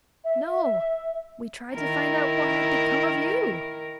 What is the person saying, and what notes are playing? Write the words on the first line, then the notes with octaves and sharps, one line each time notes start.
"No; we tried to find out what had become of you."
E5
D#3 E4 A#4